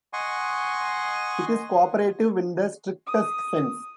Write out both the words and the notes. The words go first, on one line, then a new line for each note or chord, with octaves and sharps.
It is co-operative in the strictest sense.
D#5 F#5 G#5 C6 C#6
D#6